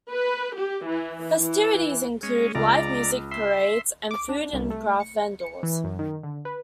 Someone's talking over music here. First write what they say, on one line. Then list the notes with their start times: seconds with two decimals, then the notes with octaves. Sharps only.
Festivities include live music, parades, and food and craft vendors.
0.12 B4
0.56 G4
0.89 E3
1.39 E3
2.23 G#3 C#4
2.55 C#2 D5 A#5
3.31 E5 C6
4.11 D6
4.29 D4
4.53 C2
4.70 A3
5.00 C#7
5.40 C#7
5.63 E3
5.84 F#2
5.99 D#3
6.23 D3
6.45 B4